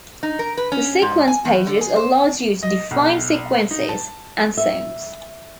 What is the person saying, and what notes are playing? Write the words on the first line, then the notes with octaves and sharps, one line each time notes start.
The Sequence pages allowed you to define sequences and songs.
D#4
A#4
B4
C#4
G#2
G#5
E2
D3
G#4
C5
D#5
B1
D#4
A5
E5